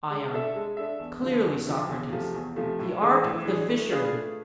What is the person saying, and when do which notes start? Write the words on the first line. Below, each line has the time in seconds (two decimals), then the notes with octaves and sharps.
ION: Clearly, Socrates, the art of the fisherman.
0.10 G#3
0.33 D4 A4 E5
0.56 G#3
0.77 D4 A4 E5
0.99 E2
1.22 D3 F3
1.44 E2
1.67 D3 F3
1.89 E2
2.11 C3 F3 A3
2.35 E2
2.56 C3 F3 A3
2.79 A2
3.02 E3 G#3 D4 G#4
3.24 A2
3.45 E3 G#3 D4 G#4
3.68 A3
3.91 D4 F4 G#4 B4
4.13 A3